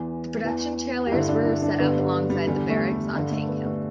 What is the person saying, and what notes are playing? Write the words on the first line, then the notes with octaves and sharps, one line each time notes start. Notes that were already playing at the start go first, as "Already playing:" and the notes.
The production trailers were set up alongside the barracks on "Tank Hill".
Already playing: E2 E3
E2 E3
G4
G2 D3 E4
D4
E4
D4
G2 D3 B3
G3
G3
E2 D3 G3
A3
G3
G2 D3 G3
A3
B3
A3